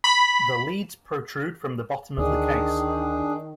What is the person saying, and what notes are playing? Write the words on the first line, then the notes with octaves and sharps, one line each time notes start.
The leads protrude from the bottom of the case.
B5
D2 D#3 D4 G#4